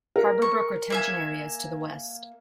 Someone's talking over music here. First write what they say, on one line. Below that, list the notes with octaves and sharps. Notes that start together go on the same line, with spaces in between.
Harbor Brook Retention area is to the west.
A#4
C#6
A#3 E5 G#5